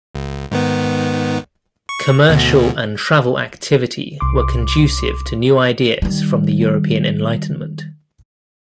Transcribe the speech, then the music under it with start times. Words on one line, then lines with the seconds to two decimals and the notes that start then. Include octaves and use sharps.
Commercial and travel activity were conducive to new ideas from the European Enlightenment.
0.15 C#2
0.51 G#2 D#3 B3
1.89 C#6
2.29 D2 B2
4.20 C2 C6 D6
6.02 D#3 G3